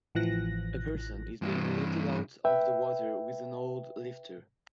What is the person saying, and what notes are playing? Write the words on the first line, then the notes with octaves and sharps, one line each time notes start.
A person is being lifted out of the water with an old lifter.
A1 E3 F3 F#6 A#6
G2 E3
B4 E5 G5